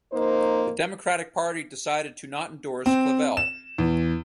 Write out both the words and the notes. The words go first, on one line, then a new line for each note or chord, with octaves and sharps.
The Democratic Party decided to not endorse Clavelle.
F2 A#3 D#4 C5
C4
E7
E2